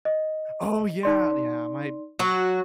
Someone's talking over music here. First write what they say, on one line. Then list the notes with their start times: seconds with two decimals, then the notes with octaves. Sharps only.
Oh, yeah, yeah, my
0.05 D#5
1.03 D#4 D5 C6
2.19 F#3 F#4